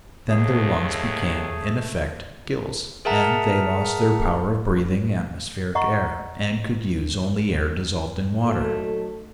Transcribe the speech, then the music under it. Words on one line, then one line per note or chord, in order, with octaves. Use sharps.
Then their lungs became, in effect, gills, and they lost their power of breathing atmospheric air, and could use only air dissolved in water.
D#2 A3 G#4
G#4 A#4 E5 F#5 A5 A#5
D#5 F#5 A#5 C#6
F#3 A3 D#4 A4